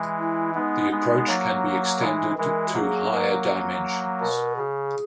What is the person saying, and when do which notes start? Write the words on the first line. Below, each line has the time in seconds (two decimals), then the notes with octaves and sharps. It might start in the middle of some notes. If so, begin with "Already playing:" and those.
The approach can be extended to higher dimensions.
Already playing: E3 G#3
0.18 E4
0.55 G#3 B3 D#4
0.92 G#3 B3
1.28 F#3 A#3
2.01 E3 G#3 D#4
2.38 E3 G#3 A#4
2.68 F#4
2.74 F#3 A#3 G#4
3.11 A#4
4.20 B2 A#4
4.57 C#3 G#4